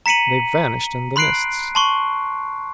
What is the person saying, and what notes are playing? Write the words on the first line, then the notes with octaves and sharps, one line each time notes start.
They vanished in the mists.
A#5 B6 C#7 D#7 F#7
B5 C6 F#6 C7 D7
A5 C6 C#6